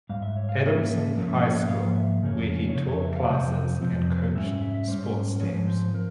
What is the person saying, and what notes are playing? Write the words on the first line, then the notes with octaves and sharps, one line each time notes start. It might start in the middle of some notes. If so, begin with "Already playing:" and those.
Adamson High School where he taught classes and coached sports teams.
G#2 G3 F5
E5
C#5
F5
G#2 G3 A#3 C#4 E5
G#2 F3 A#3 C#4
E5
C#5
E5
G#2 F3 A#3 F5
E5
F2 C#3 A#3 C#4
C#5
F2 C#3
C#5
E5
F5
F2 C3 F3 C4
F2 C3 F3 C4
G#2 G3 C#4 E5
E5
E5
E5
G#2 G3 C#4 C5
G#2 F3 C4 C#5
C5
F3 A#4